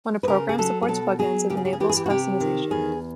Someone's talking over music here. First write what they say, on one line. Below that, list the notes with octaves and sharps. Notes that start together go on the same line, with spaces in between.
When a program supports plug-ins, it enables customization.
B4
C#3 A#4
G#4
F#3 A4
G#4
B2 A4
F#3 G#4
C#3 G4
G#4
G4
G#4
E3 G4
G#4
G4
F#4
C3 G4
D#3
E2 G#4